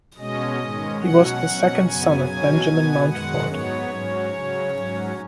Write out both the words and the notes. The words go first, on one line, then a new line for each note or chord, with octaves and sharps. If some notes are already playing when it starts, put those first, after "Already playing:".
He was the second son of Benjamin Mountfort.
B2 G#3 C#4 D#5
G#2 D#3 G#3 C#4
B2 F#3 C#4 F#5
B2 F#3 C#4
F#2 C#3 F#3 B3 G#5
B2 F#3 C#4 G#5
B2 B3
F#2 D#3 G#3 F#5
G#2 F#3 B3 C#5
G#2 F#3 C#4
C#3 F#3 C#4
G#2 F#3 C#4